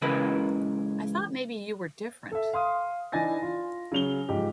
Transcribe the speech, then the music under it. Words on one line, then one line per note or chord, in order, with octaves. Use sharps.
I thought maybe you were different.
C#2 C#3 E3 A#4 B4 B5
A4 E5
F5 C6 D#6
E3 D4 D#4 G#5 A6 A#6
F4
C#3 F#3 F7 G7
G#2 F3 G4